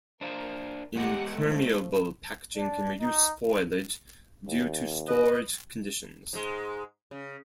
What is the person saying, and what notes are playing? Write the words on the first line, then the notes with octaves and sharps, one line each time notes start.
Impermeable packaging can reduce spoilage due to storage conditions.
D4 A#4 C5 F5
G#3 B3 G4 D#5 F#5
F3 A3
D4
D#4
D#2
B4 D#5
G#2 G#3
C#3